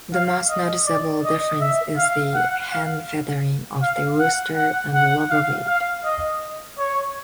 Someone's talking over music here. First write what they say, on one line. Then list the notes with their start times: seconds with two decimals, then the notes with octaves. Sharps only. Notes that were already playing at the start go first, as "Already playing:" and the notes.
The most noticeable difference is the hen-feathering of the rooster and the lower weight.
0.13 F5
0.50 D#5
0.86 D5
1.24 D#5
1.61 E5
1.97 F5
2.35 F#5
2.72 F5
3.82 F5
4.20 F#5
4.57 F#5
4.94 F#5
5.30 F5
5.67 F5
6.04 D#5
6.78 C#5